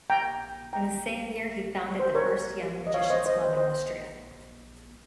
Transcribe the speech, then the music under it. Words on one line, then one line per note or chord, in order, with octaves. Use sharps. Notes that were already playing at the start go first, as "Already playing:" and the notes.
In the same year he founded the first Young Magician's Club in Austria.
G5 A#5
G5 A#5
C5
A#4 C#5
D#5
C#5 F5
C#5
C5 D#5
C5 D#5
C5
C5 D#5